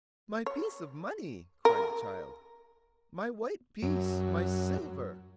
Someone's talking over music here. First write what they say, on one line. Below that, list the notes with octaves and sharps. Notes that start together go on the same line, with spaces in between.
"My piece of money!" cried the child, "my white piece! my silver!"
C#5
A#4
F#2